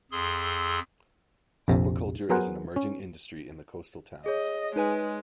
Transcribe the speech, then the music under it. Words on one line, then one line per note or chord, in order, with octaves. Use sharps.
Aquaculture is an emerging industry in the coastal towns.
F2 G#4 C6 E6
A#1 F2 C3
F#3 B3 G#4 A#4 C5 F#5
C#4
G#4 C#5 D#5
G#3 D#4 B4 G#5